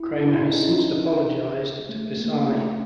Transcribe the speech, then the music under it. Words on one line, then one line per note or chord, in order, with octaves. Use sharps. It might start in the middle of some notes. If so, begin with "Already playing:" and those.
Cramer has since apologized to Pisani.
Already playing: E4
E4
D#4
D4
C#4 D#4
A3
A#3
A3